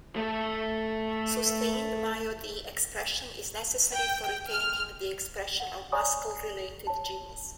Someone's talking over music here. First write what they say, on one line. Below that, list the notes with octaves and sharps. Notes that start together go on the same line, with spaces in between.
Sustained MyoD expression is necessary for retaining the expression of muscle-related genes.
A3 A4
G5
F6
F#5
C#5 D5 G#5 A#5 C#6 D#6
C#5 A5